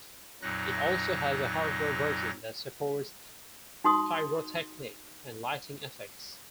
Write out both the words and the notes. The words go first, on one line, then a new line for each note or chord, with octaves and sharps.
It also has a hardware version that supports pyrotechnic and lighting effects.
F2 A#2 F#3 D#4 F#6 A#6
D#4 F#4 C6 D#6